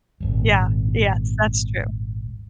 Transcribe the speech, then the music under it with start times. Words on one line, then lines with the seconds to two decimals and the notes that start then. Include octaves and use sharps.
Yeah, yes, that's true.
0.20 D#1 G#1